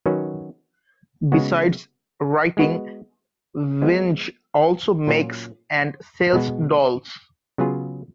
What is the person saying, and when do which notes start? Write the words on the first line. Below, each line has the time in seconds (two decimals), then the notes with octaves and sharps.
Besides writing, Vinge also makes and sells dolls.
0.06 D#3 F#3 C#4 F#4 B4
1.32 C#3 G#3 B3 F#4
2.57 G#3 B3 F#4 B4 D#5
3.82 F3 G#3 B3
5.07 A#2 F#3 C#4 F4
6.33 B2 G#3 B3
7.58 C#3 F#3 B3 F4 G#4